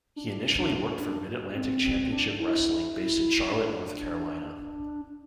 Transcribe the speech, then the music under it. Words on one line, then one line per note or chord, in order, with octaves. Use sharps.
He initially worked for Mid Atlantic Championship Wrestling based in Charlotte, North Carolina.
D4
D4
D4
C4
C4
D4
E4
D4